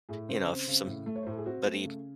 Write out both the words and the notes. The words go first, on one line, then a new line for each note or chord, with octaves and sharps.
you know, if somebody
A2 G#4
C#3 C5
C4
C#3
A2
A3
C#5
C5
A2 A4
G#4
C4 F#4
A3
C#3